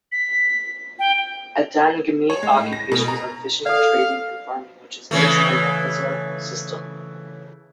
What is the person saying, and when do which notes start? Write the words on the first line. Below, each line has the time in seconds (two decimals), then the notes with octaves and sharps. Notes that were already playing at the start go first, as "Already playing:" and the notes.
Adangme occupations are fishing, trading and farming which is based on the huza system.
0.12 B6
0.99 G5
2.30 C#5
2.43 G#3
2.57 A2
2.73 A#6
2.92 B2
3.08 A#5
3.66 A4 D5 F5
5.11 C#3 E3 A3